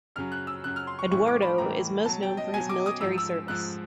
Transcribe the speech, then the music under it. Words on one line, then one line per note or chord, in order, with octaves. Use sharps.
Eduardo is most known for his military service.
F#2 C#3 F#3 F6
F#6
E6
F#2 C#3 F#3 F#6
F6
C6
C#6
A2 E3 G3 C#6
D6
B5
A2 E3 G3 A#5
B2 F#3 A5
G5
D#5
B2 F#3 G#5
D6
D#6
G#2 F3 E6
E6
G#2 F3 F#6